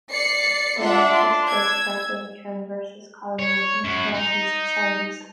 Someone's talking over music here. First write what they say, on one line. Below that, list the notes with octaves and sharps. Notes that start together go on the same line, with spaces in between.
The Natchez Trace Parkway traverses Collinwood from northeast to southwest.
D5 C7 C#7
D4 F4 E5 F#5
C6
E6 G#6
C#5
F#2 F#4
D#4